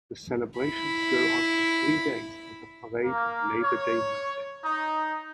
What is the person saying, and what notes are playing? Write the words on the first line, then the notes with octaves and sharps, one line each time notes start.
The celebrations go on for three days with a parade on Labour Day Monday.
E4 B5
A#3
C#5
D#4